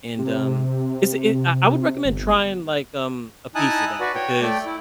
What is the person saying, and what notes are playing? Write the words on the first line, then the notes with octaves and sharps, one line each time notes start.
and, um, it's a I I would recommend trying, like, um, a piece of that because
C3
G1
D#4 E4 G#5 A5 D#6 F#6
F#4 B4 D5
C#5 G5
A3 D5 G5
E4